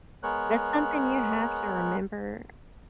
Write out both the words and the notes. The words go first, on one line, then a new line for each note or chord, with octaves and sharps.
That's something you have to remember.
G#3 B3 A#4 C#5 F#6